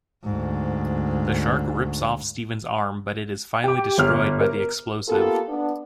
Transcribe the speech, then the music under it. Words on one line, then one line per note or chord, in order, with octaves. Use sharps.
The shark rips off Steven's arm but it is finally destroyed by the explosive.
D2 G#2
G4 D6
G1 F6
A#4
A#3 B3 F4 G4 A4
B3 D4